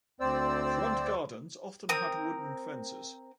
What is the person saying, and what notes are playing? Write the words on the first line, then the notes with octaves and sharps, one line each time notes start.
Front gardens often had wooden fences.
D2 C4 C5 D5 E6
C4 A#4 D#6